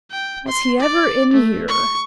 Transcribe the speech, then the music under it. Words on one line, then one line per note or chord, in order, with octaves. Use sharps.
"Was he ever in here?"
G5
C6
D5
A3
C#6